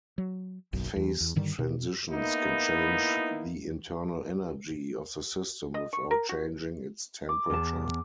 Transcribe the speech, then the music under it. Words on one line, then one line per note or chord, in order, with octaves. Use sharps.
Phase transitions can change the internal energy of the system without changing its temperature.
F#3
F#1 B1 F#2
E2
E2
G2 D3 D#3 G3
B2
A#3 B3 D#4 E4
D#5
C#6
A#4
F#4
D6
E2 A5